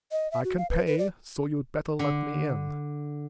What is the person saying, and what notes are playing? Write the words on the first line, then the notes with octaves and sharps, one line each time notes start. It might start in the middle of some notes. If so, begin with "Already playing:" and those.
I can pay; so you'd better let me in.'
D#5
E5
F#4
F5
B4
B4
D5
D3